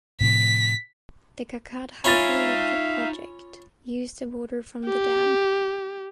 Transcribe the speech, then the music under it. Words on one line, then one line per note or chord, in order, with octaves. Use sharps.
The Kakkad Hydroelectric Project use the water from the dam.
A2 C3 F3 B6
C#4 D#4 F4 E5 F5 G#5 B5 A6
G4